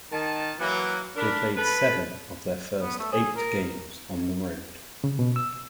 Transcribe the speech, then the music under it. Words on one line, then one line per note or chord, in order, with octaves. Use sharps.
They played seven of their first eight games on the road.
D#3 A5
E3 F#3 A#3
D4 A#4 B5
A4 B4 B5
B3
A3
G#4
A#4
C#3
B2
E6